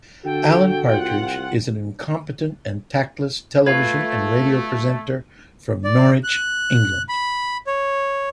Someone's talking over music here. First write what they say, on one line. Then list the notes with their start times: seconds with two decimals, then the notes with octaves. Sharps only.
Alan Partridge is an incompetent and tactless television and radio presenter from Norwich, England.
0.25 D3 F#4 A4 G5
0.90 C2 F4 F#5
3.66 A3 F4 B4 G#6
5.84 D5
6.24 F#6
7.09 B5
7.67 C#5